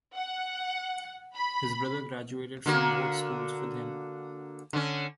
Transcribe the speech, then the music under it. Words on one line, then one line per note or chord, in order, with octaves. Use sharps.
His brother graduated from both schools with him.
F#5
B5
D3 A#3 F#4
D3 C#4